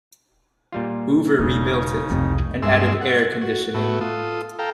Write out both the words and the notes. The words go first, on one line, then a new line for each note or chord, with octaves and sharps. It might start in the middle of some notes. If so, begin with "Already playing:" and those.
Hoover rebuilt it, and added air-conditioning.
A#2 G3 F4
E1 C#3 D#4
F1 C2 F2
G2 G#3 C6 E6
F#5
F#4
A2 A3 B3 F#4
F4 A4 D#6
A4 F5 G5 A#5